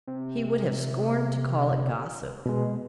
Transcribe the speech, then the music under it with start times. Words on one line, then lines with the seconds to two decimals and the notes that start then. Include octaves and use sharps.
He would have scorned to call it gossip.
0.07 C3
2.46 B2 G#3